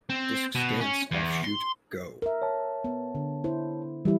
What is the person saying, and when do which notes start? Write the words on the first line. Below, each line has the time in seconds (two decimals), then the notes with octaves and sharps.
Discs' dance offshoot Go!
0.10 C4
0.55 B2
0.81 C#4
1.11 E2
1.44 C6
2.22 A#4 E5
2.42 C#5 A5
2.84 B3
3.15 D3
3.44 E4 C5
4.05 E3 G3 E4 G4